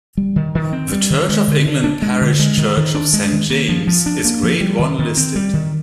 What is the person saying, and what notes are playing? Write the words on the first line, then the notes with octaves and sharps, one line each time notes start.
The Church of England parish church of Saint James is Grade One listed.
G3
D#3
D#3
C4
G3
D#3
G#3
D3
D3
D4
G#3
D3
G#3
D#3
D#3
D4
G#3
D#3
A#3
F3
F3
D4
A#3
F3
G3
D#3
D#3
C4
G3
D#3